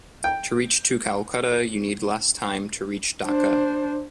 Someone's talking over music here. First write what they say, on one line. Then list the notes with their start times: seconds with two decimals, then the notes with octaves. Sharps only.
To reach to Calcutta you need less time to reach Dhaka.
0.24 G5
3.26 D4 C5